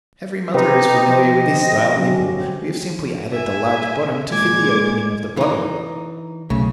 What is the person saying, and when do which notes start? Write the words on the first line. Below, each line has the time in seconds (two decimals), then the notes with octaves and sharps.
Every mother is familiar with this style nipple; we have simply added the large bottom to fit the opening of the bottle.
0.54 C3 C4 D#4 G4 B4 C5
1.08 F3 D#5
1.96 D3 F#3 C#4
3.32 E5 G#5
4.32 A#2 G#3 D6 G#6
5.37 E3 D#4
6.50 B1 C#3 A3